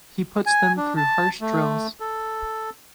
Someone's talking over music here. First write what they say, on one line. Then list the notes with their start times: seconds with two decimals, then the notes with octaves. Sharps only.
He puts them through harsh drills.
0.46 G#5
0.77 D4
0.97 A5
1.41 A3
2.00 A4